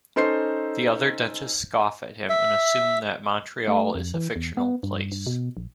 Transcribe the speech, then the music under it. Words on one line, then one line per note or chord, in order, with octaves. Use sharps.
The other dentists scoff at him and assume that Montreal is a fictional place.
C#4 D#4 A4 C5 C6 C7
E5
A3
F2
E3
E2
B3
G2
G2
B2
A#1